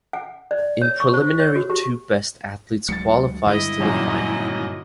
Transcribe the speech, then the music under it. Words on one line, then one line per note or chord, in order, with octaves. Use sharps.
In preliminary two best athletes qualifies to the final.
F#5
D5
C#5
C#6
C5
C#5
F#4
G4
D2 F#3 G#3 A6 C#7
G2 D3 G#3 E4 D#5
G#1 F#2 A#2